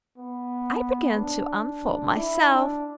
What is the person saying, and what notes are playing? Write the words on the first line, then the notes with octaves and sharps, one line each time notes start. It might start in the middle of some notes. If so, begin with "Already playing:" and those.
I begin to unfold myself.
B3
D4
E4
D4